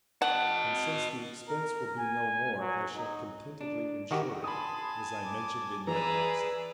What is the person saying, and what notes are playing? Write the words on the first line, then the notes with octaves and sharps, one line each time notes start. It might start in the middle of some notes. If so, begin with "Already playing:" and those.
And since the expense will be no more, I shall contentedly insure it, as I mentioned in my last.
D#5 F#5 A5
A#4
G#5
F#3
D#4
D4
D#3 F#4 G4
G#5 A5 B5 C6 D#6
D6
E3 G#4 B4 D5 A#5 E6